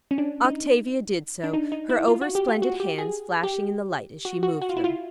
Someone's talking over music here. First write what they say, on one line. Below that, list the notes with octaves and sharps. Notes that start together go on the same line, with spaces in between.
Octavia did so, her over-splendid hands flashing in the light as she moved them.
C#4
D4
D#4
D4
D#4
D#4
E4
F4
F#4
G4
F4
F#4
G4
G#4
G4
F#4
F#4
F#4
F4
E4
F4